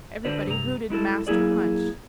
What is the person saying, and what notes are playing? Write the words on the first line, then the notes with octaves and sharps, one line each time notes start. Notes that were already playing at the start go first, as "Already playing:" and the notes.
Everybody hooted Master Punch.
D3 F#4 B4 C5 D5
G2 C3 A#5
G#3 E4 F#4 A4
F#3 A#3 E4 G#4 D5